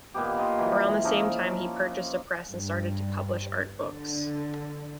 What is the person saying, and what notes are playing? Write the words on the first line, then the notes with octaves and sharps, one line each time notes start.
Around the same time he purchased a press and started to publish art books.
A#2 D#3 B3 G4
D#3 D#5 C6
E3 F#3
F3 A#3 C#4 D#4
G2
D3